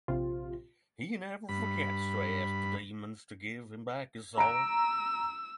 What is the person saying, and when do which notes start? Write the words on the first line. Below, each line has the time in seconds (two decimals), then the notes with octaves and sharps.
He never forgets to ask the demons to give him back his soul.
0.08 A#1 C3 F4
1.49 G2 B5
4.38 A#5 E6 D7